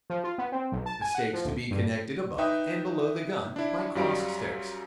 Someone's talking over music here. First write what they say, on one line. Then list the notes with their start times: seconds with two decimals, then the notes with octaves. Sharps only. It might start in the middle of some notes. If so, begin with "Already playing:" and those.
The stakes to be connected above and below the gun, by cross sticks.
0.10 F3
0.24 F4
0.38 B3
0.52 C4
0.72 B1
0.86 A5
1.01 G#5
1.15 F#5
1.33 F3
1.45 D2
1.58 C7
1.71 G2
2.38 D#4 B4 E5 G5 D#6
3.56 D4 E4
3.95 F#2 F#3 G3 F5 D7